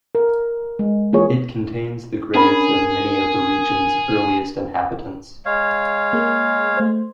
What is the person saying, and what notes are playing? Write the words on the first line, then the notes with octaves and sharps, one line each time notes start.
It contains the graves of many of the region's earliest inhabitants.
A#4
G#3
E3 A#3 F4 G#4 C#5
C#4 D4 G#4 A#4 A5 B5
G#3 C#5 F5
A#3 G#4
A3 C5